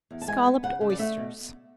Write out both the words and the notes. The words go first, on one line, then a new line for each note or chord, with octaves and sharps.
Scolloped Oysters.
E2
A5
G#3 G#5
B3
C#3 F#5
C#3
D5
A3 E5
B2